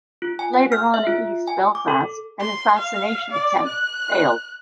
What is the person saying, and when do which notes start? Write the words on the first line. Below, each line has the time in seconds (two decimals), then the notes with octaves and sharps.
Later on in East Belfast an assassination attempt failed.
0.22 F4
0.39 G#5
0.53 F#5
0.72 F6
0.94 E5
1.07 F4
1.48 G#5
1.75 D6
1.88 A4
2.40 C6
2.77 F5
3.31 D5
3.66 F#6